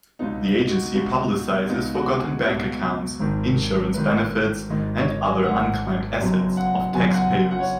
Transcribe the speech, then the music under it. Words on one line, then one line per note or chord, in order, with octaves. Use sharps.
The agency publicizes forgotten bank accounts, insurance benefits and other unclaimed assets of taxpayers.
C#2 B2 B3 D#4
D#4
F#4
C#2 B2 B3 F#4
C#2 B2 B3 D#4
F#4
G#4
C#2 B2 B3
G#1 G#2 D#3
G#1 G#2 D#3 B4
G#1 G#2 D#3 D#5
C#5
D#5
G#5
G#1 G#2 D#3 F#5
F#1 F#2 F#3 B3 D#5
F#5
F#1 F#2 F#3 B3 G#5
F#5
F#5
C#5